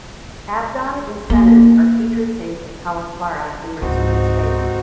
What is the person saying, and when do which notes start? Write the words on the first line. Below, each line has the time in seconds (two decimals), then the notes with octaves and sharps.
Abdon and Sennen are patron saints of Calasparra, in Murcia, Spain.
1.30 A#3
3.81 C#2 G#2 D#3 C4 D#4 F#4